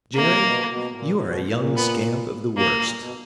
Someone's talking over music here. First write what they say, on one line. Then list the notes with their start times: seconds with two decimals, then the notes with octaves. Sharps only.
"Jerry, you are a young scamp of the worst."
0.15 C3 A#3
0.42 B2
0.68 B2
0.91 A2
0.95 A#2
1.15 A#2
1.22 B2
1.49 A#2
1.76 B3
2.57 A2 A#3
2.77 A#2
2.98 B2